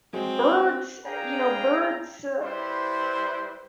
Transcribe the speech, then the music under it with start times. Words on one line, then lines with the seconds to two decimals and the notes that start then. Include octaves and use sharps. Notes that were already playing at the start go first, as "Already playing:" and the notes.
Birds, eh, you know, birds, uh,
0.13 F#3 G#3 C4
1.05 D4 G#4 F5 G5 G#5 A#5
2.42 G3 E4 B4 C5